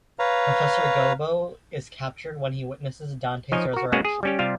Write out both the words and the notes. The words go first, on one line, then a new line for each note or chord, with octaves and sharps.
Professor Gobbo is captured when he witnesses Dante's resurrection.
B4 C#5 F5 A#5
F3 D#4 C#5 D#5 G#5
F#4 A#4
G#3 A#3 B3 C#4 F#4 G#4
G#4
G3 C#4 G4
C3 G3 F4 F5